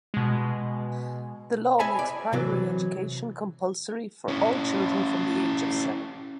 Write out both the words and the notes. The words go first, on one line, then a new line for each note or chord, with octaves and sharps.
The law makes primary education compulsory for all children from the age of seven.
B2 G#3
C#5 D#5 E5 G#5 A5 B5
D5
C3 E3 F#3
C#4 E4